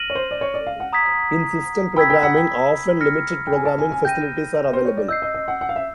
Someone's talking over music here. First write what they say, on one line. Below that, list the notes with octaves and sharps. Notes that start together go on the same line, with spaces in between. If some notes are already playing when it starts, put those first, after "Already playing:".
In system programming, often limited programming facilities are available.
Already playing: F6 A#6 D#7 F#7
C#5
C5
D5
C#5
D5
F5
F#5
A#5 D#6 G#6 B6
G5 B5 E6 G#6 B6
G5
F#5
G5
F6 A#6 C#7
G5
G#5
A5
G#5
G#5
G5 G6 A#6 D#7
C5
C#5
D5
D#5 E6 G6 C7
D#5
D#5
F#5
F#5
F5
E5